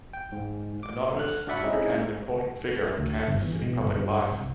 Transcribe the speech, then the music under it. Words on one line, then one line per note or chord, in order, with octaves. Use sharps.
Anonymous” and he became an important figure in Kansas City public life.
G5
G#2
D6
D3 F6 F#6
D4 F#4 D5 E5 F#5 B5
G#3 C4 C#4 D#4 E4 D#5
D2
G1
E3
B2
G1
G2
C2